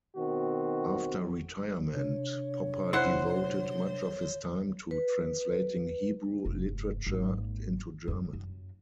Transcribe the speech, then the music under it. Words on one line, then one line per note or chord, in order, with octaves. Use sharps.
After retirement Popper devoted much of his time to translating Hebrew literature into German.
B2 D#3 C4 F#4
C3 D4 C#5
E4 C5 E5 F#5
B4
F1 G2
G#1 A#2
F#2 F#3
F#2